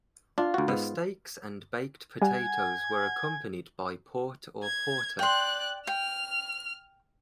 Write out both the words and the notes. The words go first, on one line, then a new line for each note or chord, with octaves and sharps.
The steaks and baked potatoes were accompanied by port or porter.
D4 F4
D2 F#4
G#2 B3
G3 F#5 G#5 G#6
G#6
D5 G5 C6 F#6
G5 F6